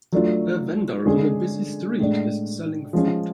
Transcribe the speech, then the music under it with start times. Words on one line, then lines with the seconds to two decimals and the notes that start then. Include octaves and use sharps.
A vendor on a busy street is selling food.
0.12 F#3 A3 D4 F4
1.06 D3 G#3 C#4 G#4
2.00 A2 G#3 D4
2.93 F3 G#3 C#4